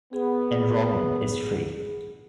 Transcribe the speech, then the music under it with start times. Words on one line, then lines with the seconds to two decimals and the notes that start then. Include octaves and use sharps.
Enrollment is free.
0.13 B3 G#4